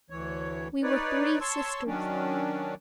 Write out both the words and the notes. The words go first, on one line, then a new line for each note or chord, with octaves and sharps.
We were three sisters.
D2 E3 C#5
D#4 B4 C#5 D5
C#5 A5 C6 C#6 E6
D#3 F#3 C#4 D4